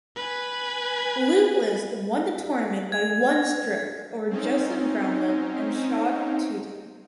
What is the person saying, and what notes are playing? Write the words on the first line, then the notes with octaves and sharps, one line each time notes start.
Luke List won the tournament by one stroke over Joseph Bramlett and Shad Tuten.
B4 G#5
G#6
C4 C#4 D#4